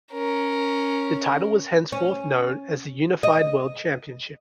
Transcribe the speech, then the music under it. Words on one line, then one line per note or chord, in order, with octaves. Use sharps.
The title was henceforth known as the Unified World Championship.
C#4 A#4
C#4
D#5